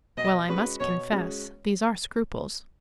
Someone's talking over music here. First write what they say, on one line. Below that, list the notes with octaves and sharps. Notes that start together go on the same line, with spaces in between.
"Well, I must confess, these are scruples."
B2 D#5
G#3 C#4 F#4 B4
B2 C#5
G#3 C#4 F#4